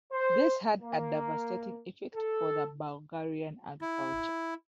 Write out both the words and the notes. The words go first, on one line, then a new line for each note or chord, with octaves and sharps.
This had a devastating effect for the Bulgarian agriculture.
C5
A#3
A4
E4